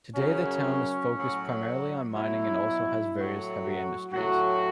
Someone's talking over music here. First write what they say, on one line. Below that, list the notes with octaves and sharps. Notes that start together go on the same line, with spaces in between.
Today the town is focused primarily on mining and also has various heavy industries.
F#2 C#3 F#3 C#4
A2 F#3
B2 F#3 E4
A2 F#3
F#4
A2 F#3 F#4